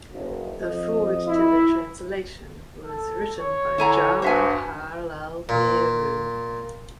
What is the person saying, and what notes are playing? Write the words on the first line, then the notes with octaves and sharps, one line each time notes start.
The foreword to the translation was written by Jawaharlal Nehru.
F#1 B1
F2 D#5
E4
A4
C#5
D3 E4 G#5 A#5
G2 F#4 C5 E5 G#5
A#2